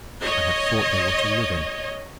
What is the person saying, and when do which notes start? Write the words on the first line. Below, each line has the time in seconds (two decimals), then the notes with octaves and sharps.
I had thought they were to live in.
0.22 C#5 D#5